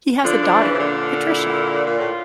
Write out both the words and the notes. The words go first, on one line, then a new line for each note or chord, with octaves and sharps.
He has a daughter, Patricia.
D3 F3 D4
D3 F3
F3
C#3 E3
C#3
A#2 D3 D4
E4
A#2 F4
A2